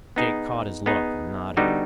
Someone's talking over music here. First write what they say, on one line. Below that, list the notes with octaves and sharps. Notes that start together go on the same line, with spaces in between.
Jake caught his look and nodded.
B3 D#4 G#4
B3 D#4 G#4
D3 G3 B3 D#4 F#4